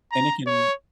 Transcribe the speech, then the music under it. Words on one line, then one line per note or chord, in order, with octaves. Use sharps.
And it can
A#5
C#5